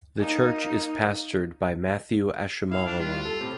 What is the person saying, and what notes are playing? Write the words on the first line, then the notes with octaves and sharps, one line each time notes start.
The church is pastored by Matthew Ashimolowo.
A#3 D#4
E4 F5
D4
G3 F4
A4
A2 C3 C4